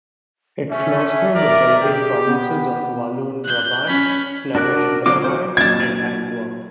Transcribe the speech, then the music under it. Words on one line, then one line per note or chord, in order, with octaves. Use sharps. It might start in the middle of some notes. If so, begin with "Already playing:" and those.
It flows through the Belgian provinces of Walloon Brabant, Flemish Brabant and Antwerp.
A3 C#4 E5
A#4 D5
G4 G#4
B3
F#6 G6
C#4 B5
D4 F#4 A#4 D5 F#6
D3 F#3 C4 F4 D6
F#4 C5
A#2 F#3 D4 G#6 A6